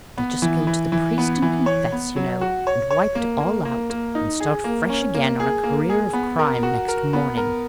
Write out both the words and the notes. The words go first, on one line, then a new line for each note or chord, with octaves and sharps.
They just go to the priest and confess, you know, and wipe it all out, and start fresh again on a career of crime next morning.
B3
E3
E3
E3
B3
E3
C#5
B3
F#3
F#4
C#5
C#5
A#3
A#3
A#3
A#3
D#4
G#4
A#3
C#4
A#3
G#4
A#3
G#4
B3
A#4
F#4
A#4
B3
A#4